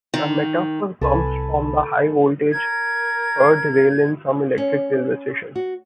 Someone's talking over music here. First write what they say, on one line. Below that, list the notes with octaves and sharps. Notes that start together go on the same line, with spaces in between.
The metaphor comes from the high-voltage third rail in some electric railway systems.
D#3
C2 A4 B4 G#5
A#4 G#6
C#4
F#4